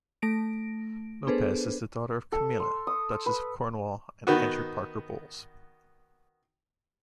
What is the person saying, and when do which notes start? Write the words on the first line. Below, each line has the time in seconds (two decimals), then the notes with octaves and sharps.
Lopes is the daughter of Camilla, Duchess of Cornwall, and Andrew Parker Bowles.
0.22 A3 A#6 D7
1.27 B3 D4 G#4 A4 B4 C5
2.32 A4
2.60 C6
2.87 D#6
3.26 B4
4.27 D#3 B3 F#4